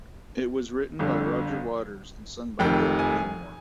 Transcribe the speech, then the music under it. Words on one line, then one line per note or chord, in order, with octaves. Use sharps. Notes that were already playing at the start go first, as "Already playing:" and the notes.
It was written by Roger Waters and sung by David Gilmour.
G1 F2 D3
F1 F2 D#3 G5
G#5